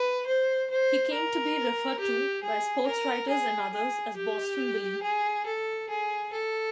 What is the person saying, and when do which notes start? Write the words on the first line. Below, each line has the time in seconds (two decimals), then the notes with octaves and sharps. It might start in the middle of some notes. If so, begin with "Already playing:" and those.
He came to be referred to by sportswriters and others as "Boston Billy".
Already playing: B4
0.26 C5
0.70 C5
1.13 A#4
1.99 G4
2.43 G#4
2.86 A#4
3.29 G#4
3.73 G#4
4.16 G4
5.02 G#4
5.46 A4
5.89 G#4
6.32 A4